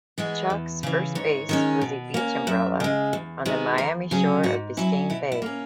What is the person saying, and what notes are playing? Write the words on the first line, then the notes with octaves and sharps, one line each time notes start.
Chalk's first base was a beach umbrella on the Miami shore of Biscayne Bay.
E3 G#3 B3
E2
C#3 E3
G#2 C#5
D#3 G#3 C#4
B2
A#3 C#4
F#2 E5
C#3 G#3
E2
D#3 G#3 B3
E2 A#4
C#3 F#3 C#4 G#4
G#2 F#4
F#3 C#4 E4
B2 E4
E4
A#3 C#4